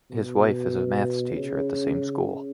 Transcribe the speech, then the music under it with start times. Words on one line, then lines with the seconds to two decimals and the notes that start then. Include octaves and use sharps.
His wife is a maths teacher at the same school.
0.10 B2
1.30 C#3
1.89 C#3